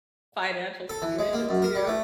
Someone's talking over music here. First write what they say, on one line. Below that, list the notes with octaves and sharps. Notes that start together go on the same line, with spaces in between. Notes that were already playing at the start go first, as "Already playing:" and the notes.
financial situation, too.
A4
E3
G#3
A#3
F#2
A#4
G3
A3